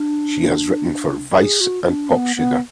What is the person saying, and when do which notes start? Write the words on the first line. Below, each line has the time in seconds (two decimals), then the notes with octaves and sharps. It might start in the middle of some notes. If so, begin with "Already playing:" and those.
She has written for "Vice" and "Popsugar".
Already playing: D4
1.35 G#4
1.61 F#4
1.85 D4
2.10 B3
2.36 B3